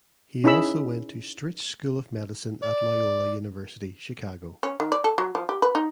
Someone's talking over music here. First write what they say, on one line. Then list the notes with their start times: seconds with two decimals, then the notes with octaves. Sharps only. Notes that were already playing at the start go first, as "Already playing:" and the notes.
He also went to Stritch School of Medicine at Loyola University Chicago.
0.44 C#4 D#4 E4 G#4 B5 E6
2.62 D5
4.63 C#4
4.80 D#3
4.92 D5
5.04 A4
5.18 F#3
5.35 F3
5.49 G4
5.62 B4
5.75 D#4